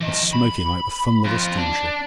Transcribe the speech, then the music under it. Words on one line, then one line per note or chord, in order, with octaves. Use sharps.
And smoking like the funnel of a steamship!
E3 D#5
B5
F2 F4
D4